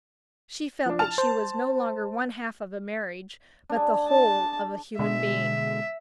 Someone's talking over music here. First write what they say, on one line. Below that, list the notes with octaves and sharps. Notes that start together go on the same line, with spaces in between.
She felt that she was no longer one-half of a marriage but the whole of a human being.
F3 D4
A5 F6 F7
C5
D4 G#4
A5
B2 D3 G#3 E5